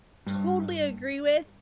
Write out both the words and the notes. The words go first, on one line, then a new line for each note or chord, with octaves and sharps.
totally agree with,
G2